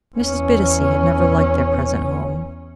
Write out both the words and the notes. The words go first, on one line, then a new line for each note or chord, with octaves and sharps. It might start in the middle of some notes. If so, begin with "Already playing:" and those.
Mrs. Bittacy had never liked their present home.
E2 C#4